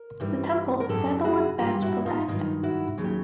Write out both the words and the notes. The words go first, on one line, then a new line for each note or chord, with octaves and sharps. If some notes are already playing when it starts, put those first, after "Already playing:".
The temple has sandalwood beds for resting.
Already playing: A#4
G2 E3 G3
A#4
F#2 C#3 F#3 G4 A4
F#4 G#4
G2 E3 G3 F4 G4
E4 F#4
D#4 F4
G2 D#3 F#3 D#4 F4
E4 F#4
D#2 C#3 F#3
G4